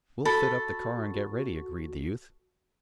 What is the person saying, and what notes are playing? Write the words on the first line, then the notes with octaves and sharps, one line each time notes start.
"We'll fit up the car and get ready," agreed the 'youth.
F#4 A4 B5